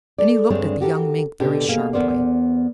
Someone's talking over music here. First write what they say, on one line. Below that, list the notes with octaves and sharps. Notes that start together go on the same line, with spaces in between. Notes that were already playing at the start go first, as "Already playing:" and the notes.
Then he looked at the young Mink very sharply.
A4 D5
D2 G2 G#3 C4 D4 C#5
F#4 G4 A4 A#4
B2 D3 G4 A#4
B2 A#3 G#4 F5
E2 C3 B3 A#4 C5 D5